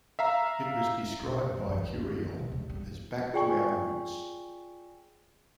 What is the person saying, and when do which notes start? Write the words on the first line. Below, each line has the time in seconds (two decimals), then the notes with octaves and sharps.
It was described by Curiel as Back to our roots.
0.19 E5 F5 A#5
1.21 B2
1.40 F#1
1.57 F#2
1.69 F3
1.82 G3
1.96 C#2
2.12 C4
2.24 D#3
2.39 C3
2.52 C#2
2.69 G3
3.33 F4 G#4 D5 G5 G#5 C#6